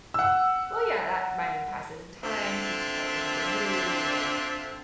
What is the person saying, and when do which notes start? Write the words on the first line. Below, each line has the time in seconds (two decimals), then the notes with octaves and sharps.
Well, yeah, that, I mean, passes the time, keeps you probably in a good mood, you know,
0.14 F#5 E6
2.23 D3 C4 F4 E5